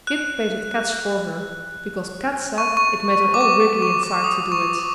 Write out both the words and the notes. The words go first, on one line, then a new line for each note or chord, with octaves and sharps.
Kit baited Kat's for her, because Kat said it made her all wriggly inside to do it.
F#6
C#6
C#6
D6
C#6
C#6
D6
D#6
C#6
D6